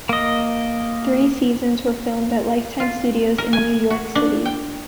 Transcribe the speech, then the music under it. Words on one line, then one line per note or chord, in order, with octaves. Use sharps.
Three seasons were filmed at Lifetime Studios in New York City.
A#3 D#5
F4
A#4
G#5
F#4
D4
G5